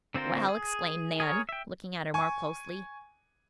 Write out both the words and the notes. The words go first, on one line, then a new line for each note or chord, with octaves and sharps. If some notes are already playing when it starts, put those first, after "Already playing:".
"Well!" exclaimed Nan, looking at her more closely.
D3 C4 F4 A#4 C5
G#4
G#4 A#4 C#5
E5 G5
G#5 C#6